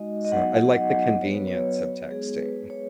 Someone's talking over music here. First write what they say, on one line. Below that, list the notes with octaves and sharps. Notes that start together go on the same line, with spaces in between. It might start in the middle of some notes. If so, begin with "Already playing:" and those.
So I like the convenience of texting.
Already playing: G#3 D#4 F#4 D#5
D#5
F#3 B3 D#4 F#4 F#5
F#5
D#5
D#5
F#3 B3 F#4 C#5
B4
C#5
G#3 B3 D#4 F#4 G#4
B4
C#5